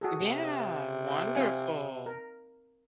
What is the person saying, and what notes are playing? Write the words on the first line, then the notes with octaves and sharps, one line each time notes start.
Yeah, wonderful.
F#4 G#4 A4
C3
C4 F5 G#5
A#4